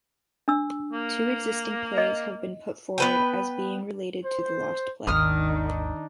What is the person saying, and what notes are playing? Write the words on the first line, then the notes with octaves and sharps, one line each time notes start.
Two existing plays have been put forward as being related to the lost play.
D4 E6
A#3
D#5
B3 B4 G5
C5
G#1 D#2 D#3 D4 D#4 D#6 F6